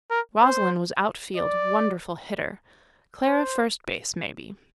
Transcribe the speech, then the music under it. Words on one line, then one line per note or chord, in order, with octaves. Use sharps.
Rosalind was outfield, wonderful hitter, Clara first base, maybe.
A#4
C5
D5
C5